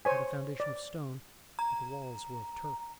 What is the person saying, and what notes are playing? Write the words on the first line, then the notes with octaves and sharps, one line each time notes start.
It had a foundation of stone, but the walls were of turf.
C5 C#5 G#5
D5
A#5